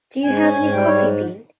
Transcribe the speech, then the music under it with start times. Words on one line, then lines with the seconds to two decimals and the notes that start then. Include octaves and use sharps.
Do you have any coffee bean?
0.24 G#2 G#5
0.40 C#4
0.56 G#2
0.72 G3 G5
0.88 G#2 C#5